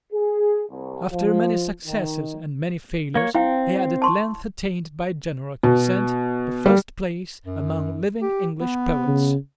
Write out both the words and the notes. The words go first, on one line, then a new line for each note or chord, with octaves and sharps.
After many successes and many failures, he had at length attained, by general consent, the first place among living English poets.
G#4
C2
F3
D#3
A#3 C#5
C4 E4 F5 G5
A5 C6 C#6
B2
G3
F#2
G4
B3
C#3